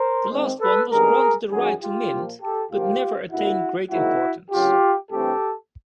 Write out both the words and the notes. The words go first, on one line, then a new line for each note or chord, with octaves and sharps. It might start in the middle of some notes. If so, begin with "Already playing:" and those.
The last one was granted the right to mint but never attained great importance.
Already playing: A#4 C5
G#2 D#3 G#3 C4
A4 B4
D#2 D3 G3 B3 G#4 A#4
F#2 D#3 F#3 F#4 G#4
F4 G4
A#2 F3 A#3
G4 A4
D#2 C#3 F3 A#3 F4 G4
G2 D3 G3 A#3 E4 F#4
G#2 D#3 F#3 A#3 E4 F#4
D2 C#3 F#3 F4 G4
G2 E3 A3 C4 G4 A4